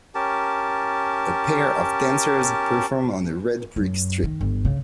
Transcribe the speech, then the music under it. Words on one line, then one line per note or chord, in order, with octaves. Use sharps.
A pair of dancers perform on a red brick street.
C#4 G4 A#4 A5
F#2
D#3
G1
C#3